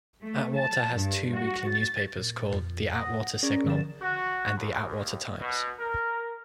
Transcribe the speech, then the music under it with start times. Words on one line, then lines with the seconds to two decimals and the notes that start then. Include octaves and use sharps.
Atwater has two weekly newspapers called "The Atwater Signal" and "The Atwater Times".
0.23 A3
0.56 A5
0.96 G2
1.32 F#4
1.69 A6
2.17 A#2
2.53 F2
2.93 F#5 D#6 A#6
3.43 C#4 G#4 A#4 D5
3.66 D3 F3 A6 E7
4.01 F#4
4.57 D#2
5.40 B2
5.79 A#4